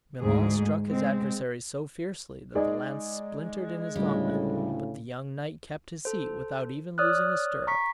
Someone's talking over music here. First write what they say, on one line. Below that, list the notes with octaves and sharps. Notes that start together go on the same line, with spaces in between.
Milon struck his adversary so fiercely, that the lance splintered in his gauntlet; but the young knight kept his seat without even losing a stirrup.
D2 G#2 G#4
G#3 C4
G#3 D#4 G#4 D5
D2 A2 C#3 G3
A4 C5
C#5 D5 D#6 F6 F#6
A#5 C#6 B6